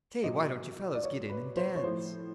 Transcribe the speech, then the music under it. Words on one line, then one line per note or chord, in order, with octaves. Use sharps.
"Say! why don't you fellows get in and dance?"
A#2 F#3 D#5
D5
C#5
B4
C5
C#5
A2 F3 C5